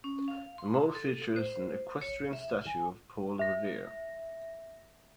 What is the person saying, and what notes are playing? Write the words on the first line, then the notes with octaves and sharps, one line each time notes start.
The mall features an equestrian statue of Paul Revere.
C#4
F5
C6
A4
C5
C#5
E5
G#5
E5 A#6